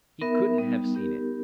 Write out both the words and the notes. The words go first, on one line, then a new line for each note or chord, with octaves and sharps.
He couldn't have seen it ...
B3 D#4 A#4 E5
G3 B3 D#4
B3 D#4 G4 A#4